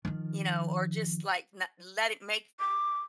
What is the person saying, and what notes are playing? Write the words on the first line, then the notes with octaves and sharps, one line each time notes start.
you know, or just, like, na letti maki
D#3 F3
D6